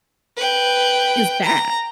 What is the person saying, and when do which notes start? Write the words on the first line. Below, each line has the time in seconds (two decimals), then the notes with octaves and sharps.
is bad.
0.37 B4 G5
1.44 A#5